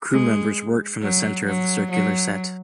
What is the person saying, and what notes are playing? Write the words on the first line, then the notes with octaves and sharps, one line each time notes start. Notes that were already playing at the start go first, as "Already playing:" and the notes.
Crew members worked from the center of the circular set.
G#3
F#3
F#3
F#3